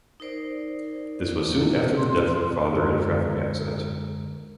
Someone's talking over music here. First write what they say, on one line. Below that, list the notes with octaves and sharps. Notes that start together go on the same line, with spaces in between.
This was soon after the death of her father in a traffic accident.
D#4 A#4 C5 D5
C6
F#2 D3 G#3 A#4